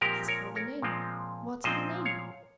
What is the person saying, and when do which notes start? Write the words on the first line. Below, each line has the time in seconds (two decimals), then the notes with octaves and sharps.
As for the name--what's in a name?
0.01 A#2 F3 G#3 C4 G4 A#4
0.28 A#4 C#5
0.55 A#4 C#5
0.82 A#2 F3 G#3 C4
1.64 A#2 F3 G#3 C4 C5 D#5
2.05 C#5 F5